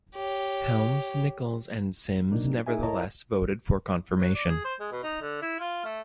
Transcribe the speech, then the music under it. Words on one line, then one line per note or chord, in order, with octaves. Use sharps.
Helms, Nickles, and Symms nevertheless voted for confirmation.
G4 C#5
G#2 F#3 A#3 D4 D#4
D#4 G#4 A#4 E5 G#5
E4 A#4 C#5 D#5 A5 A#5
F#3
D5
G#4
C5
G#3
B2
D#4
D3
E4
F4
A3